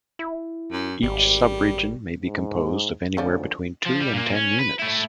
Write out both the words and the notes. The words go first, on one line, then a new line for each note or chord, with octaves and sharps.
Each sub-region may be composed of anywhere between two and ten units.
E4
F#2
G#1 G3
G#2
D2 D3 F3 C#4
F3
G3
A#2 A#3
C#4
B4
A3 E4